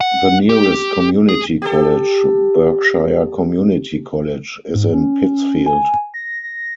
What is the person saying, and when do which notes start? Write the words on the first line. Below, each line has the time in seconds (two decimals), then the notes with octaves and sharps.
The nearest community college, Berkshire Community College, is in Pittsfield.
0.01 F#5
0.49 G4
1.29 G#4
1.62 G4 A4
4.74 G#2
4.94 C#4
5.66 G#5
6.14 A#6
6.43 A#6